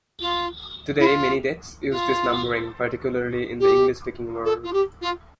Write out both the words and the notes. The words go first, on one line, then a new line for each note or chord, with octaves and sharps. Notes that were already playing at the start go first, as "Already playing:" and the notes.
Today many decks use this numbering, particularly in the English-speaking world.
F4
E4
F4
F4
G4
A4
F4
G4
F4